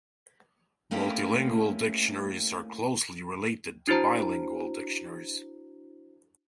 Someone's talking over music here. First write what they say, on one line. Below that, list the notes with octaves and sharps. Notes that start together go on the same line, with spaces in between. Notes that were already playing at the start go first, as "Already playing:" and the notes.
Multilingual dictionaries are closely related to bilingual dictionaries.
A3 A#3 C4 C#4 E4 G4
D4 E4 F#4 C5 A#5